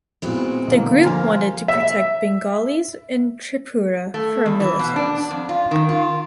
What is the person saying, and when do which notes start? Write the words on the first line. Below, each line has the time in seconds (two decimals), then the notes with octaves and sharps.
The group wanted to protect Bengalis in Tripura from militants.
0.22 A#2 G#3 B3 C4 E4 F#4
0.67 B1 E2 D3 A#3
1.03 F3 G3 G#5 C6 F6
1.68 E5
4.14 A3
4.46 E2
4.60 E3
4.79 B2
4.96 D4
5.31 F2
5.49 F4
5.71 D#3
5.89 F4